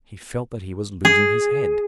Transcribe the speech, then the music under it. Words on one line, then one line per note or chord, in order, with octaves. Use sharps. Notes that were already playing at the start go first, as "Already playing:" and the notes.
He felt that he was losing his head.
G#4